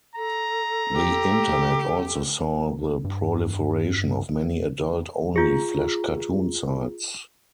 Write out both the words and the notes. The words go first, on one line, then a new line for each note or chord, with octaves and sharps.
The Internet also saw the proliferation of many adult-only Flash cartoon sites.
A4 A#5
G4
G2
F4 G#4